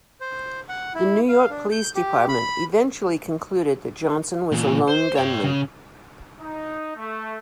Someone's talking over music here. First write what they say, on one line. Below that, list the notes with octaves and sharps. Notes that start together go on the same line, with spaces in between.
The New York Police Department eventually concluded that Johnson was a lone gunman.
C5
F#5
E4
F5
D4
G6
G4
B5
A#2 E3
C5
C#5 G5
C#3
D#4
A3